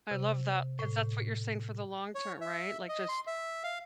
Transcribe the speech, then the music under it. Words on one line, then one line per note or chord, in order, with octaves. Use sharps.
I love that, 'cause that's what you're saying for the long term, right? Like, just
C3
A2
C#5
E5
D#5
C6
E5
F5